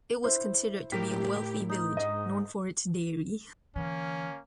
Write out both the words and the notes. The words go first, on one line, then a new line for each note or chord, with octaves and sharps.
It was considered to be a wealthy village, known for its dairy.
E4 C5
A2 G4 A#4 B6
D#4
G#2 D#5
D3 E3 A#3 C#4